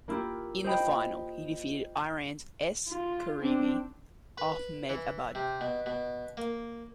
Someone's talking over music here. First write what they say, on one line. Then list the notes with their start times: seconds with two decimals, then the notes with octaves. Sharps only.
In the final he defeated Iran's S Karimi Ahmedabad.
0.08 A#3 E4 F4 G4
0.64 C5 D#5 G5 B5
2.89 F4
3.40 C4 D4
4.38 B4
4.89 E3
5.35 C3
5.61 B2
5.86 B2
6.37 A#3